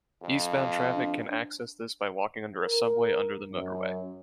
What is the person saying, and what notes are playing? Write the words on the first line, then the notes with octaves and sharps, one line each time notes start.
Eastbound traffic can access this by walking under a subway under the motorway.
F2
D4
A#4
F#2